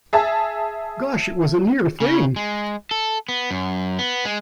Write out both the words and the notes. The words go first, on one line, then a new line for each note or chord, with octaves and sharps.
Gosh, it was a near thing!
G#4 E5 A5
C#3
G#3
A4
B3
F#2
B3
G#3